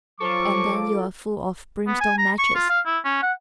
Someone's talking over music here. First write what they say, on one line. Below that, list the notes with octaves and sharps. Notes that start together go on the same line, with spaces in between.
And then you're full of brimstone matches.
F3 F#3 F4 A4 C#6 D6
B3
G#5
A#5
C#6
F4
F5
E4
C#4
F#5